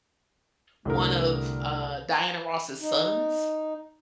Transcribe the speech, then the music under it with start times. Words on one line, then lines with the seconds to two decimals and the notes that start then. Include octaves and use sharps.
one of, uh, Diana Ross's sons.
0.85 C2 D3 A3 A#4
2.81 D#4